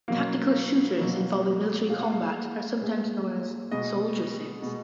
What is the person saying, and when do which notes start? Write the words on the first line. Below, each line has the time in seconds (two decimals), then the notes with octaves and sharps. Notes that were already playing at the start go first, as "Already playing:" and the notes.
Tactical shooters involving military combat are sometimes known as "soldier sims".
0.08 B2 F#3 A#3 F5
0.99 B2 F#3 A#3
1.90 A#2 G#3 F5
2.01 F#5
2.12 F5
2.81 A#2 G#3
3.71 B2 G#3 D#5
4.62 B2 G#3